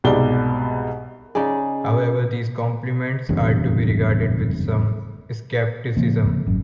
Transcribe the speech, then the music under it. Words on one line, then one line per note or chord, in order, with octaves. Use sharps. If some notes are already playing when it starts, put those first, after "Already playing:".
However, these compliments are to be regarded with some skepticism.
C2 G#2 B2 D5 B5 G7
C#3 D#4 G#4 D5
F#1 E2 G2 C3
C#3 F3 A#3 C4
G#1 F#2